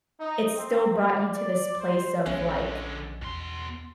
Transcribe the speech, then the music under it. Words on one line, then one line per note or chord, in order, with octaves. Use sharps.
it still brought you to this place of, like
D#4
C4
G3
D5
C5
A#1 D3 G#3 C#4
E2 B2 C6